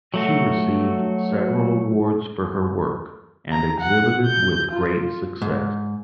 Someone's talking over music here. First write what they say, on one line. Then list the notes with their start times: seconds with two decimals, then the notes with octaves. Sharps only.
She received several awards for her work and exhibited with great success.
0.14 F#3 A3 F#4
3.52 A#5
3.80 F#5
4.26 G6
4.71 F4
5.42 G#2